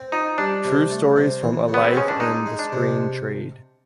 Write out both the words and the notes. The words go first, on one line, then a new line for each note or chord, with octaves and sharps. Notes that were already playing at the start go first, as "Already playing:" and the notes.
True Stories From A Life in the Screen Trade.
Already playing: C4
D#4 F4
G3 D4
C3
A3
C3
E3
C#3
B3
C4
G#3 C#4
D4
G#3 D#4
G#3
D4
C3